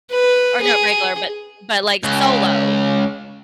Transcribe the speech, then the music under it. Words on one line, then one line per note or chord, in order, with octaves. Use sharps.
Or not regular, but but, like, solo?
B4
G#4
C#2